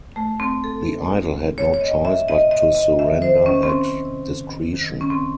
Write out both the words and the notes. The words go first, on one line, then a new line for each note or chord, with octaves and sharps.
The idol had no choice but to surrender at discretion.
A2 A3
C4
A2
A4
E3
A2
E3 C#5
C#5
D#5
A2
E5
C3 D#5
D#5
C3
D#5
D#3 E5
C5
E2
C#4
C4
E2 C#4
C3
D#3
D#3
C#4
A2 C4